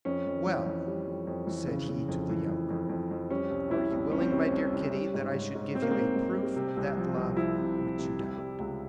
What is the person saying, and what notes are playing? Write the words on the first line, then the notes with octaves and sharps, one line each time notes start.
"Well," said he to the young girl, "are you willing, my dear Kitty, that I should give you a proof of that love which you doubt?"
F2 C#4
F2
E3
F2
G3
F2
F2
E3
C#3
C#3
F2
E3
F2
F2
F2
F2
G3 C#4
C2
C3 E4
C2
C2 C#4
C4
C2 C#4
C2
C2
G3
G#2
G#2
G#2
G#2 C4
A#3
G#2 C4
G#2
G3
C3
C2
F3
C2
F3 E4
C3
C3
C3
G3
G3
C#2